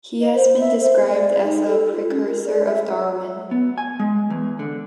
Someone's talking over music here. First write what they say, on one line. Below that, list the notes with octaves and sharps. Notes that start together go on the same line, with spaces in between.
He has been described as a "precursor of Darwin".
D#5
C5
E5
C5
D5
D#4
A4
F4
C#4
A#4
D5
E5
B3
G#5
G#3
E2
D3